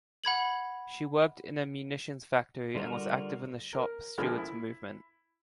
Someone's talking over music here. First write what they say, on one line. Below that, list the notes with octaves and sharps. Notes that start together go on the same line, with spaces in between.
She worked in a munitions factory and was active in the shop stewards movement.
F#5 B5 G#6 F#7
D3 G3 F4 F#4 A#4
A#4
D2 D3 F3 G#3 B5 F6
E4